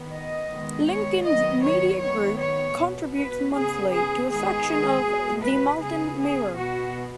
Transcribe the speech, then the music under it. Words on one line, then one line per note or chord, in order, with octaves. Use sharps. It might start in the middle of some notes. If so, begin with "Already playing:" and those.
Lincoln's Media Group contributes monthly to a section of "The Malton Mirror".
Already playing: D#3 B3
D#5
D#3 G#3 B3
C#5
D#3 F#3 B3 D#5
C#5
D#3 B3 C#5
C#5
B2 B3
B4
C#3 B3 G#4
G#4
D#3 G#3 B3 G#4
B2 G#3 B3
B4
C#3 B3 G#4
G#4
B2 B3 F#4